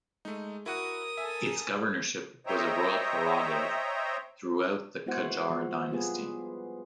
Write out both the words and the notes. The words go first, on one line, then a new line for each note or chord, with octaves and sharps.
Its governorship was a royal prerogative throughout the Qajar dynasty.
G#3 A3 D#4
E4 F#4 A#4 F#5 D#6
A4 E5 G#5
C5 C#5 D#5 E5 G5 A#5
G#3 B3 E4 F#4 C5 F#5
F3
G3 B3 F4 G4 G#4 B4